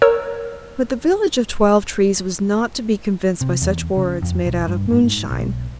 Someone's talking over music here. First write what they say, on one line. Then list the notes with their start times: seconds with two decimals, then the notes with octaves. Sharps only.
But the village of Twelve-trees was not to be convinced by such words made out of moonshine.
0.02 A#4 C#5 E6
3.41 C3
3.62 E2
3.97 C#3
4.22 F2
4.46 B1
4.67 G2
4.92 G#2
5.31 B1